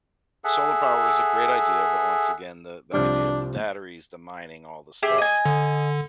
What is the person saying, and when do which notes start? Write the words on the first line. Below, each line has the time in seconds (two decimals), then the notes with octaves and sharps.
solar power is a great idea, but, once again, the the idea of the batteries, the mining, all the stuff,
0.44 G#4 A4 E5 F#5
2.94 C2 F3 G3 D4
5.03 G4 G#4 E5
5.18 D#5 G#5
5.46 D3